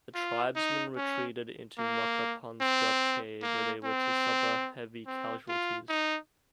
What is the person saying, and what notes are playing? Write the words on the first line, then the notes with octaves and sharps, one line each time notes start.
The tribesmen retreated into Makapansgat cave, where they were to suffer heavy casualties.
F4
D#4
C#4
A#3
C4
A#3
C4
C4
F4
D#4